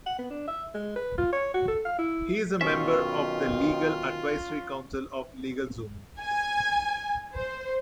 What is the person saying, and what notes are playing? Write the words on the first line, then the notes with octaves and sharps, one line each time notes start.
He is a member of the Legal Advisory Council of LegalZoom.
F#5
B3
D4
E5
G#3
B4
F4
C#5
F#4
A4
F5
E4
B1 D#3 C#4 F4 E5
G#5
C5